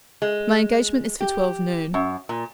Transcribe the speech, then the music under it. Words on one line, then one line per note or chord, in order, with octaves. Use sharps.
My engagement is for twelve noon.
G#3
G4
F#2
A#2